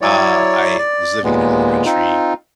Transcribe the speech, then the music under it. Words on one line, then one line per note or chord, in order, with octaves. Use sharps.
uh, I was living in another country,
F#3 E4 C#5 D5
D5
D#2 A#2 G#3 B3
C4 D#4 F4